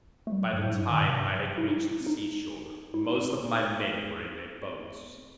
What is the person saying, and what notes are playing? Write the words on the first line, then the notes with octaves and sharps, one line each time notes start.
By the time I had reached the seashore, most of my men were in their boats.
A3
G3
F#3
G2
A2
G2
D#3
C3
G2
F#3
E4
D#4
E4
C4
D#4
E4
D#4
C4
D#4
E4
D#4
C4
B3
A3
B3
C4